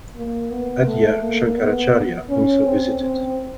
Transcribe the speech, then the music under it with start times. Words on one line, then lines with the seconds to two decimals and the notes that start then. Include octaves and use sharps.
Adya Shankaracharya also visited.
0.16 A#3
0.51 B3
0.87 A3
1.22 A#3
1.58 B3
2.30 C#4
2.66 C4
3.01 C4